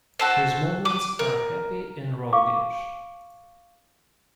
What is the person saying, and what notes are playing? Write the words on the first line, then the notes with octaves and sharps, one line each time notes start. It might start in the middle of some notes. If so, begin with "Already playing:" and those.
His movements are happy and roguish.
F#4 A4 C5
D6 D#6
A#4
F5 C#6 D6